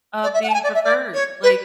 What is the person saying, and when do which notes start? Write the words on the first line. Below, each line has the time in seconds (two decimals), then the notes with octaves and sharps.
of being preferred. Like,
0.23 D5
0.34 E5
0.43 F#5
0.50 A5
0.54 G#5
0.64 D5
0.74 E5
0.84 D5
1.14 C#5
1.43 B4